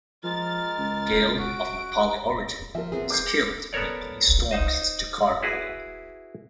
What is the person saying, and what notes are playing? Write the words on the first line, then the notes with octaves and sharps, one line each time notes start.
Ghale, of Nepali origin, was killed when police stormed his Jakarta home.
F3 G#3 A#4 F6 A6
C#2
F#4 D7
F3 A#4 E5
B3 C4 G#4
D6 G6 C7
B3 A4 A#4 C#5 D5
D#4 C5 D#5
E4 F#4 G#4 B4